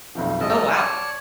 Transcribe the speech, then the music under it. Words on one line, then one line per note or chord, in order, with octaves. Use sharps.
Oh, wow.
B1 F2 F3
A1 G#3 D#5 A5
C#5 D5 A5 C6